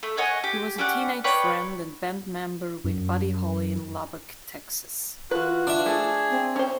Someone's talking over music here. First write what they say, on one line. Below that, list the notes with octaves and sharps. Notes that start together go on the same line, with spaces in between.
He was a teenage friend and band member with Buddy Holly in Lubbock, Texas.
A3
C#5 D#5 F#5 G#5
G4
C#4 G4 D5 F#5
B4 C#5 D5 G5
F#2
E3 F4 F#4 B4
D4 E5
F3 A3 G#4
C4
C#4 C5